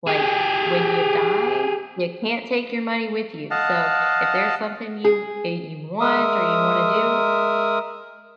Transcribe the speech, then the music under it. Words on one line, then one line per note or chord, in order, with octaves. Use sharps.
Like, when you die, you can't take your money with you, so if there's something you that you want or you wanna do,
G4 G#4
D#5 F5 F#5 A5
G#4
G#3 A#4 E5 D#6